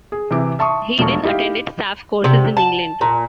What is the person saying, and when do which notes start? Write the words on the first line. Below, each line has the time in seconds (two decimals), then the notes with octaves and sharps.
He then attended staff courses in England.
0.12 G#4
0.31 C3 E3 D6
0.59 E5 A5 C6 C#6 D#6
0.99 E1 F3 A3 F5 A5 C#6
1.23 D#4 E4 G4 D#5 F5
2.24 C3
2.57 A5
3.01 A#2